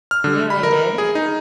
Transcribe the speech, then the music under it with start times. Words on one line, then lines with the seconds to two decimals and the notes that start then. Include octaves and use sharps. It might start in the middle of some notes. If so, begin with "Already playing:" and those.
You know what I did?
0.11 F6
0.24 D3
0.50 B5
0.63 A#4
0.98 G#4
1.15 D#4